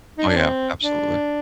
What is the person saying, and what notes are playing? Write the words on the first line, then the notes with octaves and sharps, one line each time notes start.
Oh yeah, absolutely.
D#4
D4
C4
D4